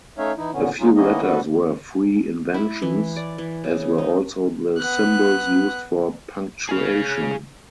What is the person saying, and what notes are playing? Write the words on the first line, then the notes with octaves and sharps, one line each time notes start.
A few letters were free inventions, as were also the symbols used for punctuation.
A3 C#4 D#4 C#5 E5 F5
E3 D#4 E4
A#2 D3 B3 C#4
F#3 G#3 C#4 D#4 F4
D#3 A#3 B3 C#4 E4 D#5
B3 D4 F#4 A4 B4
E4
E3
D5
E3
C#3
D#4
B3 F#6
G#4 F5